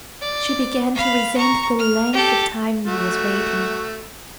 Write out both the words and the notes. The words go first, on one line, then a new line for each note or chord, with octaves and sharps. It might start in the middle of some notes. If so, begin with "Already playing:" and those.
She began to resent the length of time he was waiting.
D5
F5 B5
A#5 C#6
F6
G4 A4
A3 F#4